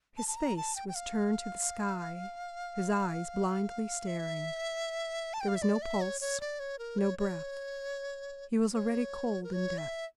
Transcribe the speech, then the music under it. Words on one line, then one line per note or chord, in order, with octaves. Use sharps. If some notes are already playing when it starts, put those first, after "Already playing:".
His face was turned to the sky, his eyes blindly staring; there was no pulse, no breath; he was already cold in death.
A5
A5
A#5
A5
G5
G5
F5
E5
A5
G5
F5
E5
D5
E5
C#5
C#5
D5
C#5
A#4
C#5
C#5
C#5
A#4
C#5
E5